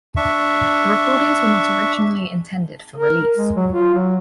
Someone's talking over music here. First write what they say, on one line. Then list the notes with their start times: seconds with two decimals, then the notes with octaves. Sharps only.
The recordings were not originally intended for release.
0.17 D4 E5 C#6
2.96 A#4
3.37 G#3
3.56 F#3
3.71 F4
3.94 F#3